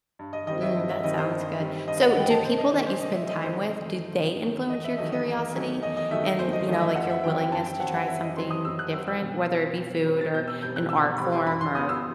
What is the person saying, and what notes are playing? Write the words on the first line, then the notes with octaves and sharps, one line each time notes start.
Mm, that sounds good. So, do people that you spend time with do they influence your curiosity and, you know, like, your willingness to try something different, whether it be food or an art form or,
G2
D#5
D#3 G3 C4 D#5
E5
G2
E5
D#3 G3 C4 D#5
C5
G2
D#3 G3 C4
G2 D#5
F#5
D#3 G3 C4 G5
A5
C3 C5
D#5
D#3 A3 C5
C5
C3 D#5
E5
D#3 A3 D#5
C5
C3
D#3 A3
C3
D#3 A3
E2 D#5
E5
D#3 F#3 A3 D#5
D#5
E2
D#3 F#3 A3
E2 D#5
D#5
D#3 F#3 A3 E5
D#5
E2 C5
D#5
D#3 F#3 A3 D#5
E5
F#2 F#5
E5
D#3 F#3 C4 G5
G5
F#2 A5
G5
D#3 F#3 C4 F#5
F#5
F#2 E5
D#5
D#3 F#3 C4 C6
D#6
F#2 E6
F#6
D#3 F#3 C4 E6
E6
B2
G3 C4
B2
G3 C4
A6
B2 G6
E6
G3 C4 G6
F#6
B2 E6
G3 C4 B5
C6
F#2 B5
C6
E3 B3 D#6
E6